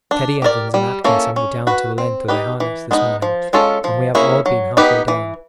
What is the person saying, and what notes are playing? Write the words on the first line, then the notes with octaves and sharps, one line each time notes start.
Teddy Evans and Atkinson were down to the length of their harness this morning, and we have all been half-way down.
D4
G4 A#4 D5
G3
A#3 C#4 E4 A4
C#4
F#4 B4
C4
D#4 G4 B4
E3
G#3 B3 D#4
F3
G#3 C#4 F4 A4
F3
A#3 C#4 E4 G#4
F#3
B3 D#4 G4 B4
E3